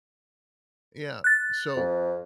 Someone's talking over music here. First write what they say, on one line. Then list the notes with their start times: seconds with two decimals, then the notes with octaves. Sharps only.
Yeah, so
1.24 F#6 A6
1.76 F2